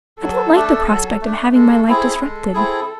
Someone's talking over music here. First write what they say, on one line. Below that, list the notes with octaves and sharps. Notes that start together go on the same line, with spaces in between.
I don't like the prospect of having my life disrupted.
F#3 A4
A3 D4
F#3
A3 D4
G#3 A4
C4 E4 G#4
G#3 A4
C4 E4 G#4